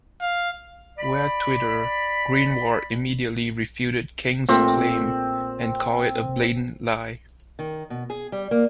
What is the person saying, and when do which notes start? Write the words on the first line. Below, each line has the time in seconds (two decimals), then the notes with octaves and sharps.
Via Twitter, Greenwald immediately refuted King's claim and called it a "blatant lie".
0.22 F5
0.98 D5 B5
4.49 A#2 A3 C4
7.59 D#3
7.90 B2
8.10 G#4
8.32 G3
8.51 A#3